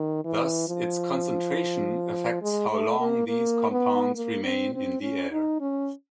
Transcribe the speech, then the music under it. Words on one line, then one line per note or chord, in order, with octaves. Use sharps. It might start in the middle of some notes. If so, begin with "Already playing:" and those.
Thus, its concentration affects how long these compounds remain in the air.
Already playing: D#3
E3
F3
G#3
A3
A#3
A#3
B3
A#3
C4
C4
C#4
D#4
C#4